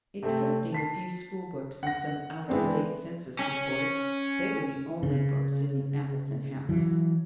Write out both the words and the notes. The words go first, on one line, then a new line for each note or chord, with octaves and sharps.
Excepting a few school-books and some out-of-date census reports, they were the only books in the Appleton house.
C3 A3 C4
A5 B6 C7
F#5 A#6
E3 G#3 B3 C4 D4
C#4
C#3
E3 F#3